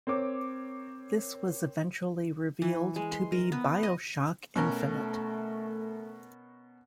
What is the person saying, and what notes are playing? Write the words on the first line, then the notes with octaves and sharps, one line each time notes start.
This was eventually revealed to be "BioShock Infinite".
C4 A#4 C#5 D6
E3
G#3
C6
A#4
B3
D#5
B2 A3 C#4 A#4